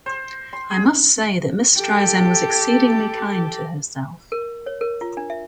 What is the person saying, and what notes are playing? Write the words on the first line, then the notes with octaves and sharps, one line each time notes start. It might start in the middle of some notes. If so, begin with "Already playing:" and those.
I must say that Miss Streisand was exceedingly kind to herself.
C5
C6
G#4
G4 A4
A#4
C#5
A#4
F4
D4
E5